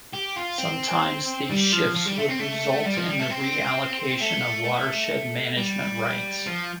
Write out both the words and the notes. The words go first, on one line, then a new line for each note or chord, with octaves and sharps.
Sometimes these shifts would result in the reallocation of watershed management rites.
G4
F4
C4
G3
F3
F3
G3
A3
C4
A3
G3
F3
G3
A3
C4
A3
G3
F3